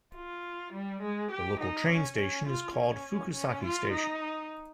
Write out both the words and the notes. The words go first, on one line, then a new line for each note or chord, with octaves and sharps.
The local train station is called Fukusaki Station.
F4
G3
G#3
G4
D#4
C#4
C#4
F4
C#4
C#4
F4
D#4